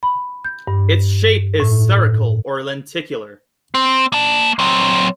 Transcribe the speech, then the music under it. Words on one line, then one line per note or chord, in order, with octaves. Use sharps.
Its shape is spherical or lenticular.
B5
G6
G2
A2
C4
A#3 A5
F#3 C4